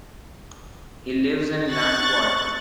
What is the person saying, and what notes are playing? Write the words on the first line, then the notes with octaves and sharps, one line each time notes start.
He lives in Landquart.
C#6 F#6 A6